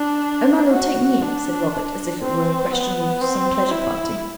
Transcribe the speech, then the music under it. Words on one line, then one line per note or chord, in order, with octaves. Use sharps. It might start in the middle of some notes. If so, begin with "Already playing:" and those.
"Oh, my Lord, take me," said Robert, as if it were a question of some pleasure party.
Already playing: D4
F#4
D4
D4
C4
B3
C4
E4